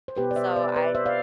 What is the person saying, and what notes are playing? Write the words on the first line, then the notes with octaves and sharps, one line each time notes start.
so I
C5
B2 B3 E4 G4 B4
D5
C5 E5
B4 D5
B4 D5
C5 E5
D5 F5